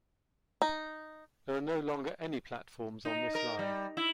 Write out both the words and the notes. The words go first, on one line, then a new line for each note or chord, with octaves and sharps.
There are no longer any platforms on this line.
D#4
D#4
A#4
G3
E4